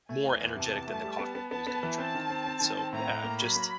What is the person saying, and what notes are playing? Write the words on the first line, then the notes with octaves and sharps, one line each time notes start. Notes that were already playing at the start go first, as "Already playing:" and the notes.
more energetic than the coffee she was gonna drink. So, yeah, I've just
A3 G#5
E2
E2
C3 A5
E2
A3
G3
B3
B3
B3 A5
B3
E3
C4 A5
D#3
C4
C4
D#3
C4
A2 A#5
A2
A#3
F#3 B5
A#3